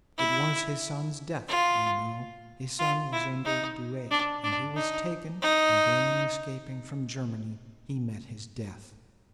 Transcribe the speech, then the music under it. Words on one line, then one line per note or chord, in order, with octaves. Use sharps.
It was his son's death, you know. His son was under Douay, and he was taken, and then in escaping from Germany he met his death.
E4
F4
F4
E4
D#4
D4
D4
D#4
D#4